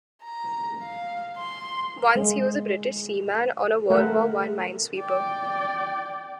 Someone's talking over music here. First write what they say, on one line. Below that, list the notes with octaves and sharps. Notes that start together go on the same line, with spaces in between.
Once he was a British seaman on a World War One mine sweeper.
A#5
F5
C6
G#3
A3 A#4 E5 F#5
D5 G5